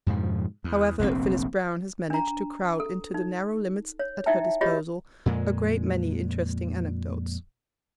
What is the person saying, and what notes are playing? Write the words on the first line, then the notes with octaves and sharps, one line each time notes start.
However, Phyllis Browne has managed to crowd into the narrow limits at her disposal a great many interesting anecdotes.
F2 G#2 B2 F3
E2
F1 A#1 A#2 C4
D4 A#5
A4
D#4
C#5
D#4 E4 E5 G5 A5
F4 G4 G#4 C#5 D#5
F2 A#2 G#3